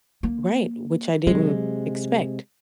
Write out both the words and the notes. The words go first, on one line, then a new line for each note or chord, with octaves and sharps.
Right, which I didn't expect.
A#3
C3 F#3 G#3